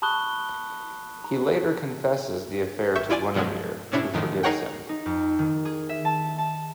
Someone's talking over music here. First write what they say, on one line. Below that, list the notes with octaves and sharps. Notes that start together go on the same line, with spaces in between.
He later confesses the affair to Guinevere, who forgives him.
A5 B5 C#6 D#6 F#6 G7
A#5
G#1 E5 C#6 G6
E4 F4 D5 G#5 D6
G2 B2 F3 F#3 G#3
A2 C3 C#4 D4 E4
F#2 A2 D#3 F3
D#4 G#4 A#4 C#5 F#5 G5
D#4
F2
D#3
G#4
E5
A5
A5